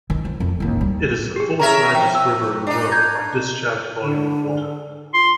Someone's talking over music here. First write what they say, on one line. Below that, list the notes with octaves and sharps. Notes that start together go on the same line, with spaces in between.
It is the fourth largest river in the world by discharge volume of water.
D#3 E3
F3
F2
A1 D#2
G3
G4 G#4
C#4 A#4 E5 A#5
F3 G5
E6
D4 D#4
A#5 G6 G#6
D3
F4 C6